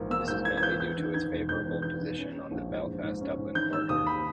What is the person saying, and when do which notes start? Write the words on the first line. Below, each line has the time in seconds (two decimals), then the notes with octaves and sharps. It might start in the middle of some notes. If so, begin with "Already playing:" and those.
This is mainly due to its favourable position on the Belfast-Dublin corridor.
Already playing: A#1 G#2 E3 A#3
0.10 A#3 E6
0.27 G#2 G6
0.45 E3 G#6
0.57 G#6
0.62 E3 G6
0.79 E2 G6
0.98 D#3
1.14 D#3 G#6
1.32 E1
1.49 E1 G6
1.66 E2
1.82 D#3 G6
2.00 D#3
2.18 C#4
2.35 C#4
2.51 A#1
2.70 G#2
2.87 A#1
3.03 G#2
3.21 C#4
3.37 G#2
3.55 D#3 G6
3.72 D#3 E6
3.89 D#2 D#6
4.07 B5